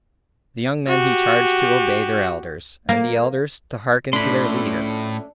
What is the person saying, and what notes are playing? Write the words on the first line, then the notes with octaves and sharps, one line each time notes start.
The young men he charged to obey their elders, and the elders to hearken to their leader.
F#4 G4
A#3
A2 F3 A3 C#4 D4 B5 C6